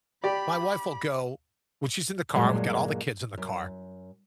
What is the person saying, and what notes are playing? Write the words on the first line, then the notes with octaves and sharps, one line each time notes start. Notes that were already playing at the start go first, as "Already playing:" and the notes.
my wife will go when she's in the car, we've got all the kids in the car,
G4 D5 B5
G2 A#2 F#3 G#3 A#3
F#2